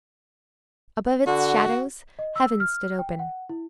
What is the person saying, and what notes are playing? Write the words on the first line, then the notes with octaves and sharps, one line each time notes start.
Above its shadows heaven stood open.
D3 F#4
D#5
E6
F6
G5
F#5
E4